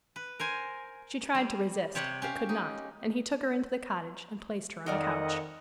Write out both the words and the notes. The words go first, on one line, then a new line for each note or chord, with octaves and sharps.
She tried to resist, but could not, and he took her into the cottage and placed her on a couch.
B4
A#4 C5 G#5
G3
C3 G4 C#5 F#5 C6
C#4 G4 F5
D#4
F2 D#3 A4 A#4 D5 D#5 F#5